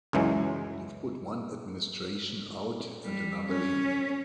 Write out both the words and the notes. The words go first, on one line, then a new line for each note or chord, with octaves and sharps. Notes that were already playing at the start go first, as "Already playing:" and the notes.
You've put one administration out and another in.
C#2 F#2 E3 F#3 G#3
G3
C#4